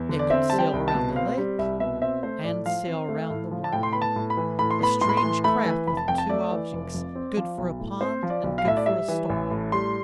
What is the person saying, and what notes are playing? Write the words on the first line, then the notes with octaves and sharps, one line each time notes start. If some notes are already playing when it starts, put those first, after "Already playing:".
It could sail round a lake, and sail round the world--a strange craft with two objects, good for a pond and good for a storm.
Already playing: E2
D3
D5
C4 E5
G3 A5
G5
C2
A5
B2
C4 F5
G3
C2 E5
B2 E5
C4 E5
A3 C5
A2 D5
F3 F5
C4
A3
A2
F3
A5
A2 G5
C6
B3 B5
A5
A2
B5
E3
A2 B5
C6
B3 B5
A2 C6
B5
C6
E3
A3 B5
E3
F1 B5
A5
F2 G5
A5
A3 D5
E3
F1
F2
C4
F3
B1
A2
C4 C5
F3
D5
B1
F5
A2 E5
D5
G3 E5
E3
A1
A2
G3 C6